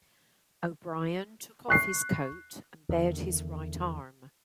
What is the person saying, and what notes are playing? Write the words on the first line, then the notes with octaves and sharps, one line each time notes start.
O'Brien took off his coat and bared his right arm.
C#6 F#6 C7
E2 D3 D#3